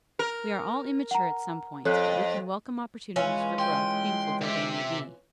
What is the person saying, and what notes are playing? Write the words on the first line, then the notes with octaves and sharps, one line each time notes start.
We are all immature at some points, but we can welcome opportunities for growth, painful though they may be.
A#4
F#5 A#5
F2 A4 C#5 F#6
E3 G#3 C#4 F4
G5 C6
C3 G4 E5